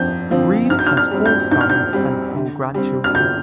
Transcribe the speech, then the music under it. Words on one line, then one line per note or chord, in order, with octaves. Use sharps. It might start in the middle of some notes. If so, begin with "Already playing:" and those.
Reid has four sons and four grandchildren.
Already playing: F2 F3 C4 G6
D3 F3 C4
G#2 F6
G6
F6
F6
G3 C4
G6
G#2 G6
F6
G6
G3 C4
D3
G3 C4
F6
D3 G6